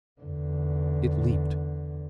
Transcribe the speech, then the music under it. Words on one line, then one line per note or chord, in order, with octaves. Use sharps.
It leaped.
E2 D3